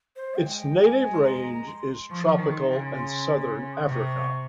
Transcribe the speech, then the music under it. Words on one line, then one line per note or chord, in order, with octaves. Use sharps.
Its native range is tropical and southern Africa.
C5
G#3 G5
G#5
C6
A#5
C6
F3 C#6
D#3
C6
C#3
C6
C6
D#6
C3 C#6